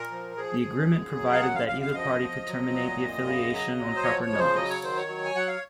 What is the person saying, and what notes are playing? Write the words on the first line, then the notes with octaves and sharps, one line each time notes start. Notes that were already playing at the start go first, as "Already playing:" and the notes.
The agreement provided that either party could terminate the affiliation on proper notice.
Already playing: A#2 A#4
F3
F3 G#4
F3
F#2
F#3
F5
F#2 F#5
F5
F#2 F5
F5
F3 D#5
F3
F#3
A#2
F#2
C#3
F#3
F#3
C5
F3 C#5
C#5
C#3
C5
F#3 D#5
C#5
D#3 C5
C#5
F#3
G#5
F#3 F#5
F5